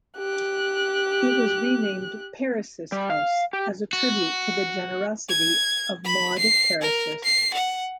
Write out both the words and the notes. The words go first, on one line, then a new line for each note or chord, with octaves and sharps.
It was renamed Peiris House as a tribute to the generosity of Maude Peiris.
G4 F#6
G3
F5
G4
F#4
G#6
B5
C7
A#4
C7
F#5